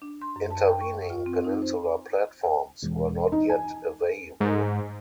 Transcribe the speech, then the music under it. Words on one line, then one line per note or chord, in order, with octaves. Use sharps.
Intervening peninsular platforms were not yet available.
D4
C6
F#2
A5
G5
C#6
F4
C4
D#4
C5
E1
D#4
G#5
G#2